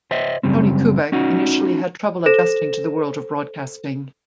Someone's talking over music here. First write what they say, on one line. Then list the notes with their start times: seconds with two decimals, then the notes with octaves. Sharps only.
Tony Kubek initially had trouble adjusting to the world of broadcasting.
0.11 C5 D#5 E5
0.43 F#2 A2 C#3 G3 C4
1.12 C#4 D#4 F#4
2.26 A4 C5 A#6 E7